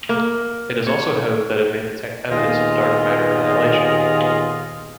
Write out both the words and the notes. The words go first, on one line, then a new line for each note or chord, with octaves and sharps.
It is also hoped that it may detect evidence of dark matter annihilation.
A#3
C#5
D#2 A#2 B3 F4 G#4 D#5